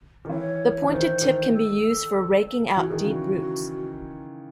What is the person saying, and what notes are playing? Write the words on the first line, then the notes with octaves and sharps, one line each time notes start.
The pointed tip can be used for raking out deep roots.
D#3
E3 C#5
E3
D#3 C5
D#3
A4
E3 F#4
D#3 G#4
C#3 F#4